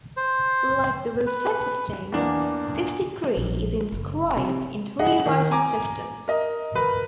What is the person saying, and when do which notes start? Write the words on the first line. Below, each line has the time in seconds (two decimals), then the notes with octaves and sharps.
Like the Rosetta Stone, this decree is inscribed in three writing systems.
0.17 C5
1.26 B4
2.12 E2 A#3 D4
3.37 A#1
3.92 F#1
4.37 C3
4.99 G#4 D#5 F#5
5.26 D#3
5.51 G#5 A#5 D6
6.28 A#4 D#5
6.75 A#4 B4